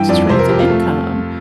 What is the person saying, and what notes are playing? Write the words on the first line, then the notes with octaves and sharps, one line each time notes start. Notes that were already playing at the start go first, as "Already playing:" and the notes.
streams of income,
Already playing: G2 E3 G5
F2 D5
C3 C5
A#4
F2 G4
F4
A3